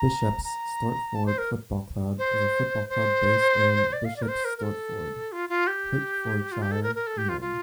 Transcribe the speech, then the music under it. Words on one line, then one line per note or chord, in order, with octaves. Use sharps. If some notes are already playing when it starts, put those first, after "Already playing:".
Bishop's Stortford Football Club is a football club based in Bishop's Stortford, Hertfordshire, England.
Already playing: A#5
A#5
A5
C5
A#4
C5
C5
D5
F5
D5
A#4
C5
A#4
A#4
A4
F4
F4
G4
F4
G4
A4
A#4
A#4
A4
G4
F4
F4